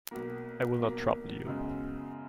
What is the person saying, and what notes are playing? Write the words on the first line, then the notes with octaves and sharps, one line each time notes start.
I will not trouble you.
B1 B2 A#3
B1 B2 A#3
F#2 C#3 G#3 B3